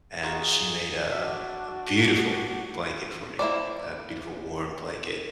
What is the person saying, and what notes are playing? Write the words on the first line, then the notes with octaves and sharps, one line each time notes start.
and she made a a beautiful blanket for me, a beautiful warm blanket,
D#4 F4 F#4 G#4
D4 F#4 E5
A#3 E4 C5 D5